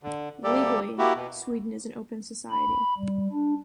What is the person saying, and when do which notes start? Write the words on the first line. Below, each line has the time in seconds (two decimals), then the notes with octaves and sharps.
Legally, Sweden is an open society.
0.03 D3
0.44 D2 G3 A#3 G4 A4 D5
0.98 A#3 E4 F#4 G4
1.16 B2
2.50 B5
2.98 G3
3.32 D4